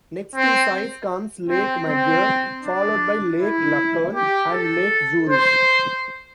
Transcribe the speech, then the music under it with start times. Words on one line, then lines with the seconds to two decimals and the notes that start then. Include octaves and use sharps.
Next in size comes Lake Maggiore, followed by Lake Lucerne and Lake Zurich.
0.36 C4
1.49 C4
1.88 C4
2.63 D4
3.39 E4
4.15 G4
4.53 A4
5.29 C5